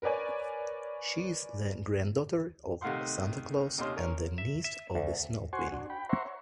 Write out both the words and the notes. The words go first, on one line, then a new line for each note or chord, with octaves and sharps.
She is the granddaughter of Santa Claus and the niece of the Snow Queen.
A#4 B4 C#5 D5 G#5
C3 D#3 A3 F5 F#5 C6
D#2 C3 C#4 D#4 C6 F6
C#4 A#4 C#5
E5
E5
D2
F#4 C5 F#5 G#5 C6 C#6
D4 F#4
G5 B5
C5 E5 F#5 A#5 C6 C#6
C#5